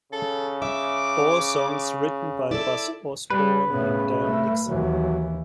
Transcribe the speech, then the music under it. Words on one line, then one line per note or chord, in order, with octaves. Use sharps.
All songs written by Buzz Osborne and Dale Nixon.
C#3 A4
E5 D6
E4 A4 D5
G3 B4
A2 C#3 B3
A3
D#2 E3 F#3